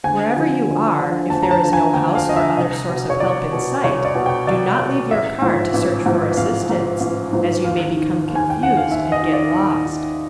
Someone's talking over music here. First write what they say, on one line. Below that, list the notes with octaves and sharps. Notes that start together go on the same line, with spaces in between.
Wherever you are, if there is no house or other source of help in sight, do not leave your car to search for assistance, as you may become confused and get lost.
D2 G#5
D3 F3
D2
D3 F3
D2 A5
A#5
A5
D3 F3
G#5
D2 G5
F5
D3 F3 D#5
E5
C2 D#5
B2
C#5
C2 D5
B2
C2 C#5
D5
B2
G5
C2 D5
B2
A1 E5
G#2 F3
A1
G#2 F3
A1 F5
G#2 F3
A1
G#2 F3
D#2 F5
D#3
D#2
G#5
G5
D#3 F#5
F5
D#2 E5
D#5
D#3
D5
D#2
D#3